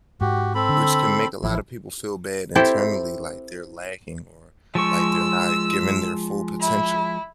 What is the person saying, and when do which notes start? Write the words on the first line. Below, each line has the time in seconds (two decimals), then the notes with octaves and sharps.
which can make a lotta people feel bad internally, like they're lacking or like, they're not giving their full potential.
0.21 G#2 F#4 G4
0.55 C4 A4 B5
0.69 D3
1.43 A1 F3 E4
2.55 C4 E4 G4 A4
4.75 F3 G#3 C#6 E6
6.60 E4